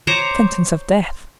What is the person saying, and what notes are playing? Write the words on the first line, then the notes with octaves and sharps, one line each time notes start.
"Sentence of death."
C5 C#5 A#5 D6